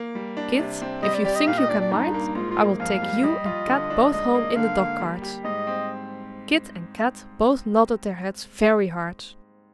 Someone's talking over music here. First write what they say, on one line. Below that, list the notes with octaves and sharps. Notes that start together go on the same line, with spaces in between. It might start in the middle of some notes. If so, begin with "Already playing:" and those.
"Kit, if you think you can mind, I will take you and Kat both home in the dog cart." Kit and Kat both nodded their heads very hard.
Already playing: A#3
G3
D4
C3
C4
G3 D#5
D5
G4 D5
D#5
A#2 F5
D#5
D4 D5
D5
G2 D#4
A#3
G#2 F4
F4
A#3
F2 F5
G3
G3 D#5
F4
D3
D4
G#2 D#5
A#3
D3 F5
A#3
G3
G4
G#2 D#5
C4